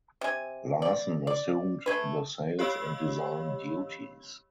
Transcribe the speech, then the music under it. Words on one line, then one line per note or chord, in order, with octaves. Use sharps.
Larson assumed the sales and design duties.
C3 G#5
D5
D5
A3 G#4 B4
G4 C#5 D#5 F5 B5 E6